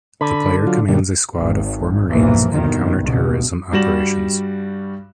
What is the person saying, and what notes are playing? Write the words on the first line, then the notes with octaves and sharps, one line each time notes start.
The player commands a squad of four marines in counter-terrorism operations.
D3 B5
F#3 F4
A#2 D3 G3
G#1
B1 G2 A#2 E3 F3 A#3
G1 E2 B2 D#3
C#2 G2 B2
G2 G3 F#4 A#6 E7 F#7